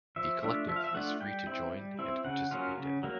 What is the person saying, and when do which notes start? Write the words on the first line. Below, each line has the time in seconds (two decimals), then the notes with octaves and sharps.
The Collective is free to join and participate in.
0.16 F3 E5
0.43 A3 D4 F4 E5
0.68 F3 E5
0.76 F5
0.84 E5
0.94 A3 D4 F4 F#5
1.21 G3 G5
1.47 C4 E4
1.72 G3
1.99 C4 E4
2.24 C#3 F#5
2.51 F#3 A#3 C#4 F4
2.77 C#3
3.03 F#3 A#3